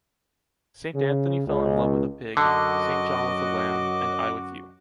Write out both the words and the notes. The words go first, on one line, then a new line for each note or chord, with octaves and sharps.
Saint Anthony fell in love with a pig, Saint John with a lamb, and I with you.
C#3
C#2
F#2 D3 F#4 D#5 D6